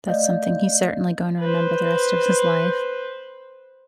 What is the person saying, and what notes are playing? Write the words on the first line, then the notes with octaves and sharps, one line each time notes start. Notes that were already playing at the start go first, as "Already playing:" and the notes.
that's something he's certainly gonna remember the rest of his life,
A3 D5 D#5 F5 G6
B4 C5